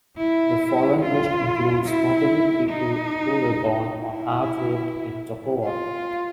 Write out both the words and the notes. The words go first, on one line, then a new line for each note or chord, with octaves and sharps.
The following list includes notable people who were born or have lived in Toccoa.
E4
F4
E4
D#4
E4
F4